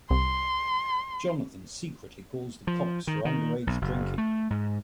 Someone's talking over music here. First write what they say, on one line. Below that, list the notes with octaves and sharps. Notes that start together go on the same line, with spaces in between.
Jonathan secretly calls the cops for underage drinking.
C2 C6
F3
D#3
D#3
B1
F#1
A3
G#2